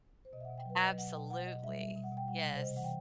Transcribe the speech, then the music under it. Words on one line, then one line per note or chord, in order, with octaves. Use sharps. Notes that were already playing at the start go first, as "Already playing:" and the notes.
Absolutely, yes.
C5
B2 D#5
E5
B2 F#5
G5
F#3 B4
F#3 D#5
B2 F#5
B2 G5
B2 F#5
B2 D#5
G3 E5
G3 E5
B2
F#5
B2
G5
G3 F#5
C3
C5
C3 D#5
E3 F#5
G5